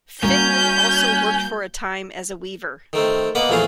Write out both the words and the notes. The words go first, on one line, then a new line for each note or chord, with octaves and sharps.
Findley also worked for a time as a weaver.
G3 A#3 C#4 F#4 G6
D#3 A3 C4
A#3 B3 D#5 F#5 B5 D6
A#1 E2 A3 E4 G#4 F5